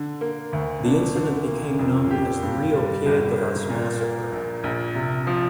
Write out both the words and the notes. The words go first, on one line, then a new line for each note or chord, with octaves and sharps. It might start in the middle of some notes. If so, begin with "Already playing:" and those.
The incident became known as the Rio Piedras massacre.
Already playing: D3
A#3
D2
D4
D3
A#3
F2
G4
G2
G3
G1
A#3
A#2
A#3
A#1
A#1
C3
F3